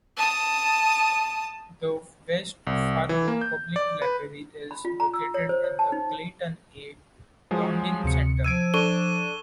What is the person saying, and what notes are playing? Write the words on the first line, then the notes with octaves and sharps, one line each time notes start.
The West Fargo Public Library is located in the Clayton A. Lodoen Center.
A5 D#6
C2
E3
A#3
G6
D5
B4
B5
F4
A#5
E6
C#5
C5
C#5
A5
D#4
F3 F#3 G#3
D2 C3 C#7
F3 E6 G#6 D7 D#7
D4 A4 C#6 D#7 G7